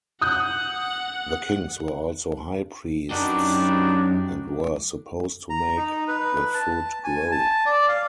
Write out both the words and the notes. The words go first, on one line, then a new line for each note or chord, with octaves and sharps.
The kings were also high priests, and were supposed to make the food grow.
F#5 D#6 F#6 G6
F#2 B3 D4 D#4 F#4 G4
A#5
D#4
B4
A5
G#5
A5
D5
F5